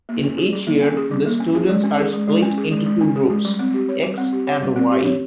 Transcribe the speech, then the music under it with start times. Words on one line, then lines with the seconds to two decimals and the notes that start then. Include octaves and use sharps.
In each Year, the students are split into two groups x and y.
0.09 A#3
0.23 C#4
0.38 G#4
0.53 G3
0.67 A#3
0.82 C#4
0.97 G#4
1.11 G3
1.26 A#3
1.40 C#4
1.55 G#4
1.69 G#3
1.84 C#4
1.99 G#4
2.13 G#3
2.28 G#3
2.42 C#4
2.57 G#4
2.72 G#3
2.86 G#3
3.01 C#4
3.16 G#4
3.30 G#3
3.45 G3
3.59 C4
3.74 G4
3.89 C#5
4.04 G3
4.18 C4
4.32 G4
4.47 C#5
4.62 G3
4.76 C4
4.92 G4
5.05 C#5